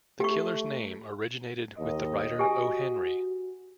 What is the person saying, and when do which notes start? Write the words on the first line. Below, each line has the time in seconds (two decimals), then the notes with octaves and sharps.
The killer's name originated with the writer O. Henry.
0.20 A3 G4 C#6
1.78 D#2 D#5
2.39 F#4 G4 G#5